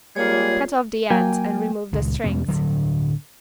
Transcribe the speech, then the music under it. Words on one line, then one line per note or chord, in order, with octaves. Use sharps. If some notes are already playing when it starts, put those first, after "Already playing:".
Cut off the ends and remove the strings.
G3 G#3 A#3 F4 G#4 C#5
F#3 A#3 G5 G#5
D#1 C#2 G#3
E2 B2 G#3 C#4
D1 G2 D3 F#3